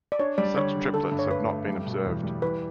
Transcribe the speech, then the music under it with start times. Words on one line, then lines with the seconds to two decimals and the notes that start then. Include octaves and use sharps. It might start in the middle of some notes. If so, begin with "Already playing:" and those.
Such triplets have not been observed.
0.12 D5
0.19 D4 C#5
0.38 G3 D5
0.57 D3 C#5
0.76 D3
0.94 D3 A4
1.12 G2
1.19 C#5
1.30 G2 B4
1.50 A3
1.68 G3
1.87 B2
2.05 E2
2.23 G3
2.42 E3 B4